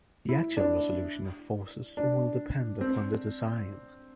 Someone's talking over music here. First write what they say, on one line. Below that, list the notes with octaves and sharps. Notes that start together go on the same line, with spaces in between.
The actual resolution of forces will depend upon the design.
E4
D4
D4
C4